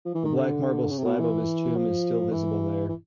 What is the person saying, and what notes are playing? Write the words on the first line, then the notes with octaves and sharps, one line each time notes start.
The black marble slab of his tomb is still visible there.
F3
E3
D#3
D3
C#3
C3
B2
E3
F3
E3
E3